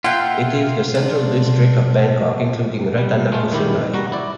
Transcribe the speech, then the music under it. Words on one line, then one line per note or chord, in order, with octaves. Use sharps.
It is the central district of Bangkok, including Rattanakosin Island.
A#3 F4 E5 F#5 G5
D4
G3
G#3 A3 F4
A#2 D#3 E4 G4
G3 F#4 A#5
E4 D5